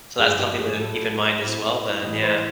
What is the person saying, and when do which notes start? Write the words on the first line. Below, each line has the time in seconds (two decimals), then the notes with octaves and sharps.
So that's something to keep in mind as well then, yeah.
0.19 G2 D3 F3 G#4
0.39 G4
0.59 G#4
0.80 A2 F#3 A3 A4
1.41 A2 F#3 A3 C4
2.02 A2 E3 G3 B3 D#5
2.22 C5